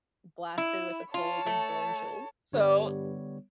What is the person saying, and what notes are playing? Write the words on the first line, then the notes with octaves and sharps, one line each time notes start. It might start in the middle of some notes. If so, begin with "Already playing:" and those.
blasted with a cold and bone chilled? So
E4
F4 C#5 A5
A3
G2 D3 G3 B3 C#5